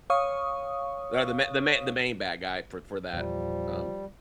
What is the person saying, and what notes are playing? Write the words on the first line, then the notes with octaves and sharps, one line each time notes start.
No, the ma the main the main bad guy for for that. Um,
C#5 F5 C#6 D#6
E2 A#2 F3 G3